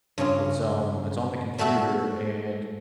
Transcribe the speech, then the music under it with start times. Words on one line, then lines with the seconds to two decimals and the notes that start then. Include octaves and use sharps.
It's, um, it's on the computer, and
0.18 G2 C#3 C#4 F4
1.58 G3 A3 F#4 A4 E5